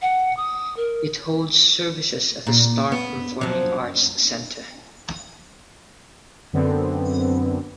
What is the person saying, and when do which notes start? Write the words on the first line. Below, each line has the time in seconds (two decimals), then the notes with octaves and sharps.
It holds services at The Star Performing Arts Centre.
0.02 F#5
0.37 D#6
0.77 A#4
2.47 A#2
2.92 B3
3.41 F3 F#3
6.53 F#2 D3 B3 C4